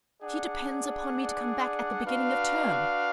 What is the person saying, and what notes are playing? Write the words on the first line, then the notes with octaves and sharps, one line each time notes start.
She depends upon me to come back at the beginning of term.
D4 G#4 D5 F#5
D4 F#4 B4 F5